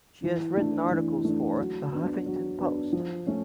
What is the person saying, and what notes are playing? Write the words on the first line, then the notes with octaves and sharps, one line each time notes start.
She has written articles for "The Huffington Post".
E3
A3 D4
E3
A3 D4
F#3
B3 D4
F#3
B3 D4
F3
A3 C#4